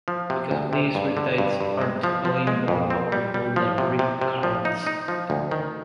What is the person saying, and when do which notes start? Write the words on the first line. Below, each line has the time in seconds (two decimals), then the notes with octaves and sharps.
Because of this, riptides are typically more powerful than rip currents.
0.08 F3
0.30 C3
0.51 D2
0.73 C3
0.95 G2
1.17 D3
1.38 G2
1.61 G2
1.81 G#3
2.03 F3
2.25 F3
2.47 G#3
2.68 F2
2.90 C4
3.12 G3
3.34 G3
3.56 F3
3.78 C3
3.99 C3
4.21 C3
4.43 F3
4.65 D#4
4.87 D#4
5.08 F3
5.30 D2
5.51 D#3